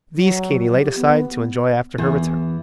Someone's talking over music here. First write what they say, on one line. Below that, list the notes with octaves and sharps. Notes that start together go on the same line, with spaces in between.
These Katy laid aside to enjoy after her return.
F#3
F3
G4
B3
E2